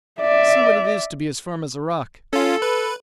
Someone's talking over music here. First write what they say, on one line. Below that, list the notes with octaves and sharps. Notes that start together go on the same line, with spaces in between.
You see what it is to be as firm as a rock!
D5 E5
C#4 F4 A4
B4